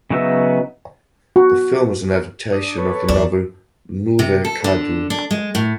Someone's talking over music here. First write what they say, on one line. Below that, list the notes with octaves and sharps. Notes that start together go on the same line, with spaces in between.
The film is an adaptation of the novel "Nuvve Kaadu".
C#3 F#3 B3 D#4 E5
F#4
D4 D#6
A4 B4 C#5
E2 D4
C3
A4
D3
D4
G#3
A2